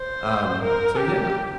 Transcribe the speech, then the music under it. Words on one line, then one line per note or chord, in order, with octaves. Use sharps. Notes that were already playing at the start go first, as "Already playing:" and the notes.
Um so yeah,
Already playing: C5
A#4
G4